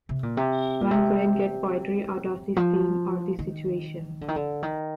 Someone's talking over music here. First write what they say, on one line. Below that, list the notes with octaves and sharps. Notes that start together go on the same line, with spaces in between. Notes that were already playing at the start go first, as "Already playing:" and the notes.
One couldn't get poetry out of this theme or this situation.
C3
A#2
C3
A#2
C3
F3
D#3
D3
D#3
D3
D#3